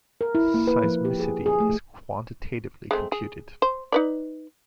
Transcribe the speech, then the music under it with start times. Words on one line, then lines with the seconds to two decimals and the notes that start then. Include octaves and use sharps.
Seismicity is quantitatively computed.
0.21 A#4
0.35 E4
0.54 A#3
0.67 B4
0.84 F3
1.05 G4
1.20 G#4
1.46 G#4
1.60 A3
2.91 G#3 A3 C4
3.12 G#4
3.62 C5
3.92 D#4 B4 D5